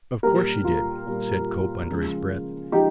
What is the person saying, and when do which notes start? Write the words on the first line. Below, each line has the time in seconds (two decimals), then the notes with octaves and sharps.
"Of course she did," said Cope under his breath.
0.23 A#2 G3 A#3 G4 A#4
0.65 F4
1.06 A#2 G3 A#3
1.90 C#3 F3 G#3
2.72 F3 G#3 D#4 G4